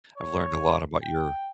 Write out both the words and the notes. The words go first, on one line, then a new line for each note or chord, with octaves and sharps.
I've learned a lot about your
C#5
G5